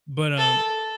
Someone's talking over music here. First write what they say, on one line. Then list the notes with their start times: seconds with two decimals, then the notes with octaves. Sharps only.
but, um,
0.38 A4